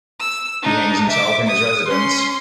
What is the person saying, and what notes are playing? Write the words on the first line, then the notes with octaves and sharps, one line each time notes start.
He hangs himself in his residence.
E6
D4 D#4
E5 D6
D#6
C#4 C6